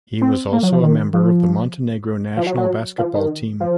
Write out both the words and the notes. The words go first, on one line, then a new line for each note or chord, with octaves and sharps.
He was also member of the Montenegro national basketball team.
C4
A#3
F#3
F3
D#3
F3
F3
F#3
F#3
F3
D#3
F3